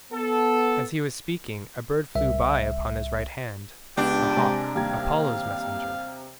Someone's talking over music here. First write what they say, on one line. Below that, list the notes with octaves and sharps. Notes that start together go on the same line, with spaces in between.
As he was speaking a bird flew by upon his right hand--a hawk, Apollo's messenger.
B3 A4
C2 E5
C#2 B3 D4 G4
C3 G#3 G#5 A#5
D#2 G3 F5 G#6